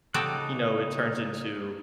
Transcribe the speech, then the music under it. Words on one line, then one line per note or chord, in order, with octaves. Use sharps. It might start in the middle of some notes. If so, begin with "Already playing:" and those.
you know, it turns into,
C#3 D#4 F#4 G4 A4 D#6 F#6